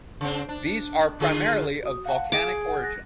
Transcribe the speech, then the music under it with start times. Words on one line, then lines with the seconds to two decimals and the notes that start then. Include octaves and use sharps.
These are primarily of volcanic origin.
0.21 C#3 C4
0.49 D4
1.20 D3 F4 G#4
1.83 F#4 D#6
2.06 F5 F#5 A5
2.32 G#4 D6
2.69 F#5
2.83 F#6 A6 A#6